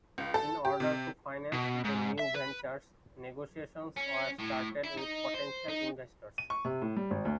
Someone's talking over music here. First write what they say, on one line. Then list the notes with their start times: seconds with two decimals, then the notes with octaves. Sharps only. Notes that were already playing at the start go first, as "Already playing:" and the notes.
In order to finance the new ventures, negotiations were started with potential investors.
0.18 C#2
0.34 A4
0.65 G4
0.80 C3
1.53 B2
1.84 G#2
2.19 E5
2.34 B4
3.97 C#4
4.39 A2
4.84 E4
4.97 D#4
5.34 C5
5.68 D#4
6.38 D#7
6.50 C#6
6.65 C3
6.82 A2
6.97 G3
7.11 G#1
7.25 D2